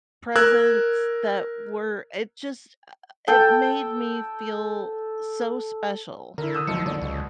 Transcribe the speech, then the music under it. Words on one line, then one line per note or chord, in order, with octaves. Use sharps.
presents that were it just uh, it made me feel so special,
A#4 E6 F#6 G#6
A4 G5
D3 E4 A#4
D#6 E6
F#1 B1 F3 C#7
B1 D3 D5
C#2